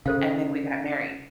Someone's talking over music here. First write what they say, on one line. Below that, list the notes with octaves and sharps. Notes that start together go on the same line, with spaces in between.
and then we got married.
C#3 A4 C5 F5